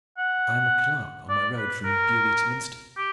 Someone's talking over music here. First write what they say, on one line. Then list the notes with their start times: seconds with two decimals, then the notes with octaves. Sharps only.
"I am a clerk on my road from Beaulieu to Minstead."
0.18 F#5
1.29 D5
1.58 B4
1.85 A#4
2.97 G4